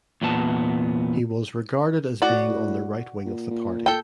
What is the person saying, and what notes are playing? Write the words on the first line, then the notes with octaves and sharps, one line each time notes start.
He was regarded as being on the right wing of the party.
E2 A#2 B3 A5
A2 F#4 D5
A#2
A#2
A4 G5